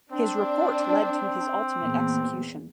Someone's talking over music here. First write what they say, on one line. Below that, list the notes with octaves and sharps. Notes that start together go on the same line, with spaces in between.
His report led to his ultimate execution.
C4 D4
E2 A#2